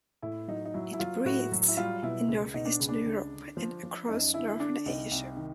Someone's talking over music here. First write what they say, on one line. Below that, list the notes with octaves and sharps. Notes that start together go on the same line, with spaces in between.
It breeds in north-eastern Europe and across northern Asia.
A2 E4
F#3 D#4
D#4
F#3 E4
E4
F#3 F4
A2 F#4
F#3
E4
G3 F4
B2 E4
C#2
B2 D#4
D4
C#2
D4
C#2
D3
F3
F3
F#2 D#4
D3 E4
D3 D4
C2 D#4
C2
D#3